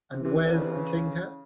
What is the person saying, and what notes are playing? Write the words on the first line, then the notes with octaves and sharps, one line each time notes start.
And where's the tinker?
C3 E3
C3
C3
D3
C#3
C3
C#3